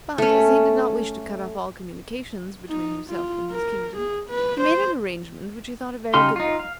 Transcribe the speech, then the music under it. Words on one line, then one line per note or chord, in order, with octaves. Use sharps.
But, as he did not wish to cut off all communication between himself and his kingdom, he made an arrangement which he thought a very good one.
A3 C#4
D#4
F4
A#4
G#4
B4
C5
C#3 D#4 G4 F5 C6
D#4 F4
F5